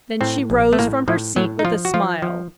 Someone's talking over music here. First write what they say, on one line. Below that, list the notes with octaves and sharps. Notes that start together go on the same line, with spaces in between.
Then she arose from her seat with a smile.
A2 C4
A#1
A3
A2 A#3
A2 F3
A2 F#3
D#4
F3 F4
F#4
F3 F4
F3